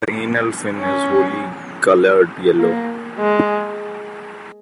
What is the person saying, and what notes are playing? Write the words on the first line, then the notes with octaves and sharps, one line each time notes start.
The anal fin is wholly coloured yellow.
C#4
A#3
G#3